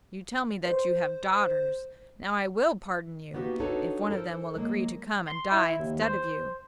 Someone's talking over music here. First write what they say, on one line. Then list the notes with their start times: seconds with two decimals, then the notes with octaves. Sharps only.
You tell me that you have daughters; now I will pardon you, if one of them will agree to come and die instead of you.
0.66 C5
3.34 A#3 B3 D#4 F#4 G4
3.60 D4 D#4 F#4 A4 B4 C#5
4.11 A4 A#4 C5
4.55 F#3 G#3 A#3
5.27 C6
5.52 E4
5.79 D#2
6.02 C5